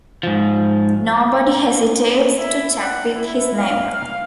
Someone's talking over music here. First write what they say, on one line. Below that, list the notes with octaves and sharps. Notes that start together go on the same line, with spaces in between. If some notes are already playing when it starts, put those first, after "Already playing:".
Nobody hesitates to chat with his neighbor.
G#2 F3
E4
F#5
E4
F5
F5